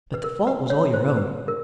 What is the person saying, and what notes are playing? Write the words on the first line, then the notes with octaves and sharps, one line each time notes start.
But the fault was all your own.
B4
A#4
B4
C#5
C5
B4
A#4